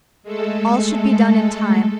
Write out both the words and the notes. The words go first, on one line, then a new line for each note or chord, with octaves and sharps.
All should be done in time.
G#3 A3 A4